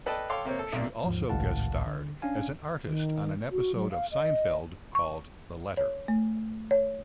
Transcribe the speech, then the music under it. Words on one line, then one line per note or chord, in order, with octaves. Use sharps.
She also guest-starred as an artist on an episode of "Seinfeld" called "The Letter".
A4 B4 D5 D#5 G5 A5
A4 C#5 F5 G5 C6 D6
C3 A#3 C4 C#5
A4
B1 C3 A#3 D5
D#2 G#2 F3
G#1 C#2 A2 F5 F#5 A5
D3
C#4 D4 F5 G#5
D#3
F#4
F#3
F5
D#5
C#6
C#5
A3
C#5